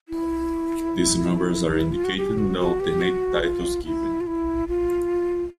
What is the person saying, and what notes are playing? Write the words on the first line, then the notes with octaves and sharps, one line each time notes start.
These numbers are indicated and the alternate titles given.
E4
D#4
E4
F4
F#4
G4
F#4
F#4
G4
F#4
F4
E4
F4
E4
F4